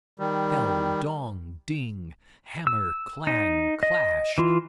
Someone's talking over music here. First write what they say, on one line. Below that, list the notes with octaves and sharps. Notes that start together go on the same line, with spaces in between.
Bell, dong, ding; hammer, clang, clash!
D#3 G3
E6
D#4
D#5
E3 F4